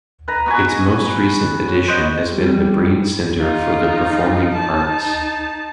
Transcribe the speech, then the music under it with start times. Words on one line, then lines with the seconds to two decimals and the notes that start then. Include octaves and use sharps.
Its most recent addition has been the Breen Center for the Performing Arts.
0.28 B4 A#5
0.46 B3 F#4 B4 G#5
1.68 C#5
1.88 C5 D#5 F#5
2.32 G3
3.40 D#4 F4
4.54 D#4 A5